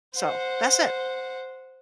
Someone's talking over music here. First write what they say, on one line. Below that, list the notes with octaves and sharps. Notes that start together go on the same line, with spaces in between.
So, that's it.
C5 F#5